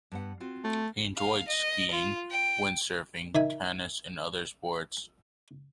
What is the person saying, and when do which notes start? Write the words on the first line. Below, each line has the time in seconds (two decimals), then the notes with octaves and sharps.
He enjoyed skiing, wind surfing, tennis, and other sports.
0.12 G2 B3 F#5
0.40 C4 F4 F#4
0.64 A3
1.17 F5
1.48 D#5
1.91 F4
2.31 G5
3.35 D#3 E5 G#5